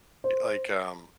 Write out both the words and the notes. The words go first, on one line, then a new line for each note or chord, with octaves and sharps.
like, um,
C5